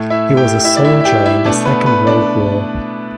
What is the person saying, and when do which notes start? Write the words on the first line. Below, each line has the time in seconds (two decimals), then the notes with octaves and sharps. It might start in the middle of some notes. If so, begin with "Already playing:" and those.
He was a soldier in the Second World War.
Already playing: A2 A3
0.10 E4 E5
0.37 G4 G5
0.64 E4 E5
0.77 D5
0.84 E4 E5
1.00 E5
1.05 G4 G5
1.26 E4 E5
1.45 B2 A3 D4 D5
1.65 B3 B4
1.86 B3 B4
2.07 D4 D5